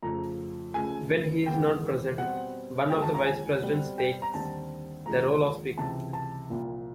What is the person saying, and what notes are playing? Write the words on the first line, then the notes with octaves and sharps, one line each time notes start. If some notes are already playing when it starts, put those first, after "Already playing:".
When he is not present, one of the vice-presidents takes the role of speaker.
F2 C#3 F3 A3 A#5
C#2 C#3 F3 A3 G#5
D#2 C#3 E3 G#3 B3 G5
B2 G3 C4 F#5
D#2 D3 F3 G#3 G5
A5
A#5
G#5
B2 G3 C4
G5
A#5
D#2 D3 G3 C4 A5
D#2 D3 F3 G#3 A#5
C#2 C3 E3 A5
A5
C2 A#2 F3 A#3